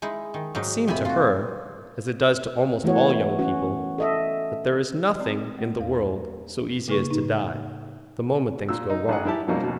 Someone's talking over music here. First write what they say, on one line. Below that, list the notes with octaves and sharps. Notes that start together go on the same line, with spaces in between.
It seemed to her, as it does to almost all young people, that there is nothing in the world so easy as to die, the moment things go wrong!
G#3 D#4 E4
D#3
G#2 F#3 D#4
F2 C3 E5 G#5 B5
F4 F#4
E3 A3 B3 F#4 C#5
C#4 F#4
A4 D#5 E5
C4 D5
A3
E2 F5
C#3 A#3 G#4 B4 C#6
A2 D#4
A#2 E6
D#4
A1 G#4 F#5
E3 E4 G4 A5
F2 B2 F3 G3 A#3 C#4
D#2 B2